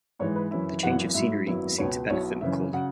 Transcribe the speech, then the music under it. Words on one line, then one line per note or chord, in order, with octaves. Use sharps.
The change of scenery seemed to benefit McCauley.
G#2 E3 G#3 C#5
B4
F#2 E3 C#4 E4 E5
G#1 F#2 E3 F#5
G#2 F#3 E4 E5
G#1 F#2 F#3 B3 E4
C#2 B2 B3 C#5
B1 B2 B3 E4 C#5
F#2 C#3 E3 C#4 E5
C#3 F#3 F#5